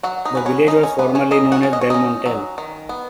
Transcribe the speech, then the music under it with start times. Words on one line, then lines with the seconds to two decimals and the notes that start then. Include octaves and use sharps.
The village was formerly known as "Belmontel".
0.03 F#3 F#4 F#5
0.25 D#4 D#5
0.35 C#4 B4
0.46 C#4 C#5
0.67 C#4 D#4 D#5
0.83 C#4 C#5
0.98 B3 C#4 B4
1.15 C#4 C#5
1.31 C#4 D#4 D#5
1.52 F#4 F#5
1.63 C#4
1.73 D#5
1.81 C#5
1.90 C#4 D#4 D#5
2.26 F#3
2.58 D#3
2.89 B3